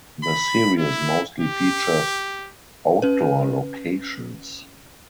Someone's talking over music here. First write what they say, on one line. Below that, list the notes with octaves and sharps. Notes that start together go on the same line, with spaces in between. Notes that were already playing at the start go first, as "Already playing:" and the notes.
The series mostly features outdoor locations.
B5
E4
G4
C#4 B4